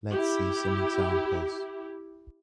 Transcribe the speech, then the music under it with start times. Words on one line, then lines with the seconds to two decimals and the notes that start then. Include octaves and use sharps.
Let’s see some examples.
0.11 E4 G4